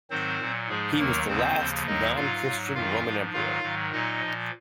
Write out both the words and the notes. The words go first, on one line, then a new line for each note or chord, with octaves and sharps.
He was the last non-Christian Roman emperor.
G#2 D#3 F#3 C4 C5
A#2 F#3
G#2 F3 G#3 G#4
D#2 D#3 F#3 A#3 A#4
D#2 C#3 F3 C4 C5
D#2 C#3 F3
D#2 D#3 F#3 D#4 D#5
G#2 F#3 F4 F5
G#2 F#3
F#2 D#3 F#3 F4 F5
G#2 F3
G#2 D#3 F#3 F4 F5
G#2 D#3 F#3
A#2 F#3 D#4 D#5
A#2 F3